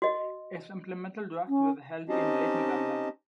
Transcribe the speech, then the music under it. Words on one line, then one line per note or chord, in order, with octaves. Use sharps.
A supplemental draft was held in late November.
F#4 D#5
C#4
C4 C#4 D#4 G4 D#5 A5